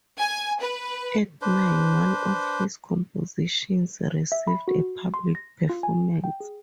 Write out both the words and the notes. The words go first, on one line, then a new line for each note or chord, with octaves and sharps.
At nine, one of his compositions received a public performance.
G#5
B4
D4 B4 C5
E5
B5
F#4
C6
A#6
F4
G#5
G5
G#4